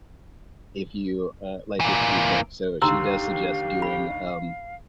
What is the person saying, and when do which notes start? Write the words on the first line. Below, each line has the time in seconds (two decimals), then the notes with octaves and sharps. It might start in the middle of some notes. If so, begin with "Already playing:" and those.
if you, uh, like, if you vent, so she does suggest doing, um,
1.80 E3 A#3
2.82 D#2 D3 G4 F5 A#5 C6 E6
3.82 B5